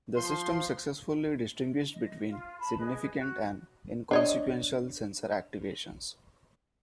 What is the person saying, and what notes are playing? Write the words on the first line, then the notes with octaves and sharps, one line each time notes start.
The system successfully distinguished between significant and inconsequential sensor activations.
F3 C6
D#5
F4
A5 B5
G#4 B4 D#5
F#4 F#6
D4 C#5 D#5